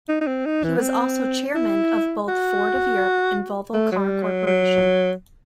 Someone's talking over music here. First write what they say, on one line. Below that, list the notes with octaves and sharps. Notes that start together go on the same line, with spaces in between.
He was also chairman of both Ford of Europe and Volvo Car Corporation.
D#4
D#4
C4
D#4
E3
B3
C4
E4
F#4
A3
F#3
G3
F#3
F#3